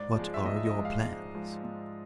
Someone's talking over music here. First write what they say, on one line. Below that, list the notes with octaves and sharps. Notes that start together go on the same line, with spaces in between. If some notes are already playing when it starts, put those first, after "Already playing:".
What are your plans?
Already playing: G#2 D5
F3 G#3
E5
G#2 D#5
E5
D#5
F3 G#3
F5
G#2
F3 G#3
G#2